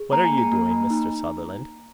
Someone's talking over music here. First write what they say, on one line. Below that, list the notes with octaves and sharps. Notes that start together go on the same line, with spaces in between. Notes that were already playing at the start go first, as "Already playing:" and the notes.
"What are you doing, Mr. Sutherland?"
Already playing: G#4
A#3 A#5
G#5
A#3
A#5
A#3
A#3
D#4